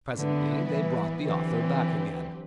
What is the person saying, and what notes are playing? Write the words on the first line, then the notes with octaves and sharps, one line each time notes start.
Presently they brought the author back again.
A2 D3 G3 B3 E4 B4
E3
D3 E3 F#3 C4 G4 B4